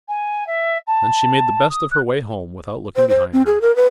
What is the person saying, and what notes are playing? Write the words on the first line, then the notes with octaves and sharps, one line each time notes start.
Then she made the best of her way home without looking behind her.
G#5
E5
A5
D#6
F#6
C5
C5
C4
G#4
A#4
B4